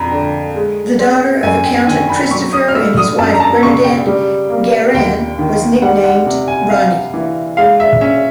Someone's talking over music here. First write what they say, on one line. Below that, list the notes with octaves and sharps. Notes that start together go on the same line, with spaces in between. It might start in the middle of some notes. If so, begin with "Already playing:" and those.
The daughter of accountant Christopher and his wife Bernadette, Guerin was nicknamed Ronnie.
Already playing: F2 A#5 B5
D3
G#3
C4
F#2 G#5
G5
D#3 G#5
B5
F#3 C#6
D#6
F6
A3 E6
D#6
F#2 A5
A#5
A5
C#3 C#6
G5
G3
A#3
D#2 G5
D#3
G3 F#5
F#5
C3
G#5
C3 F5
E3
G#3 F5
E5
C#4 E5